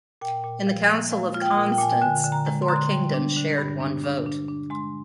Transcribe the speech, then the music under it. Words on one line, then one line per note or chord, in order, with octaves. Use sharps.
In the Council of Constance, the four kingdoms shared one vote.
A#2 G5
A#2
F3
A#3
G#3 F5
F4
G5
A#2
G5
A#2 G#5
G5
D3 G#5
D3
A#5
G#3
C6
D3 A#5
C6
G3
D4
D3
G2
D4
D4
D4
D4
G#3 C6